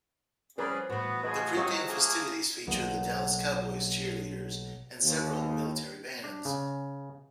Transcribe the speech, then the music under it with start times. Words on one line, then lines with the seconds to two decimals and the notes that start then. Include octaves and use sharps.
The pregame festivities featured the Dallas Cowboys Cheerleaders and several military bands.
0.58 F3 C4 C#4 G#4 A#4 B4 D5
0.90 A2 E3 B3 F#4
1.23 A1 F3 G#4 B4 D#5
1.55 D#3 F#3 C4 F4 C#5 D#5
1.89 A3 A#3 G#4
2.67 B1 B2 A#3
5.01 D#2
6.24 D4
6.45 C#3